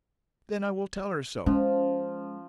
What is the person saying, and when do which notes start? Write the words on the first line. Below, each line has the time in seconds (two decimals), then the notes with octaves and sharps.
"Then I will tell her so."
1.46 F3 G#3 C#4